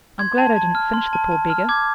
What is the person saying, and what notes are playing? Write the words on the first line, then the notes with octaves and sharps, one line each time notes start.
I'm glad I didn't finish the poor beggar.
C6 G#6
A5
A5
F6
C6
A5
A5
F6
D6 G#6